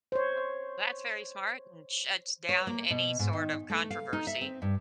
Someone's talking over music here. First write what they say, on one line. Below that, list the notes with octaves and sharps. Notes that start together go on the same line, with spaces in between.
Oh, that's very smart and shuts down any sort of controversy
C5 C#5
C#5
A#3
B2
G#2
D#3
A3
F5
D#4
E5
C4
G2